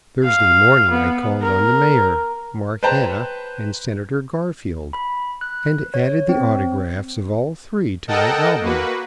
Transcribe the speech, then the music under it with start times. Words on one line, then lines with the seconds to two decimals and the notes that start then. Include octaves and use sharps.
Thursday morning I called on the Mayor, Mark Hanna and Senator Garfield, and added the autographs of all three to my album.
0.23 F5
0.90 B3
1.42 A#4
2.83 B4 C5 G5 A5 A#5
4.93 B5
5.41 F#6
5.94 C#5
6.29 C4
8.07 A4 A#4 D#5 F#5 G5 A5
8.61 A#3 F#4 B4